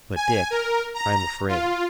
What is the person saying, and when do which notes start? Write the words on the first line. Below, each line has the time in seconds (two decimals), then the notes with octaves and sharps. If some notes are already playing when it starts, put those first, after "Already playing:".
But, Dick, I'm afraid.
0.16 G#5
0.50 A#4
0.94 A#5
1.48 F4